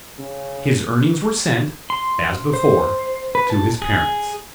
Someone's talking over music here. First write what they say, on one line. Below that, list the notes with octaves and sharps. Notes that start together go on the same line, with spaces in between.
His earnings were sent, as before, to his parents.
C#3
C6
C5
B4
A5
G#4